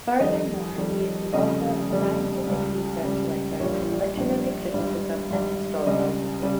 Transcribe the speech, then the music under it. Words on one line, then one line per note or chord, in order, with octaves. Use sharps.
Furthermore, he is the author of scientific-research letters in literary criticism and historiography.
F2 D#3 G3 D#5
F2 D#3 G3
F1 F2 C#3 G3 D#5
F1 F2 C#3 G3
C#2 C#3 G3
C#2 C#3 G3
A#1 A#2 G3 C#5
A#1 A#2 G3
G#1 G2 G3
G#1 G2 G3
C#2 C#3 G3 D#5
C#3 G3